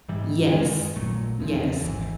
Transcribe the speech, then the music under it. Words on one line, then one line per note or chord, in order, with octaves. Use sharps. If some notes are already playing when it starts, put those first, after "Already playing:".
Yes, yes.
G#2 E3 G3
F#2 D#3 G#3
A#1 A#2 F#3 A3
E2 C#3 F3
G#1 G#2 E3